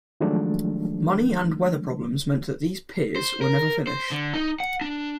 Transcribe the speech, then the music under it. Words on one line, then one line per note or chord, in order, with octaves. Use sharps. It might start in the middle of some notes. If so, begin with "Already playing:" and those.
Money and weather problems meant that these piers were never finished.
D#3 F3 F#3 G#3 A3 D4
C5
A#4
C5
D3
D#4
F#5
D4